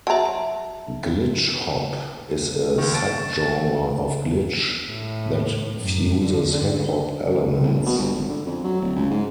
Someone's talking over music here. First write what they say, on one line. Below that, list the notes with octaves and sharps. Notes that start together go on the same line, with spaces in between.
Glitch hop is a subgenre of glitch that fuses hip hop elements.
F#3 E5 A5 A#5
D#2 D#3
A5 C#6 D7
A2
F#2
D3
C2
A#1
B2
G1
G#1
D3
F2
F#3
D1
C#2
G#2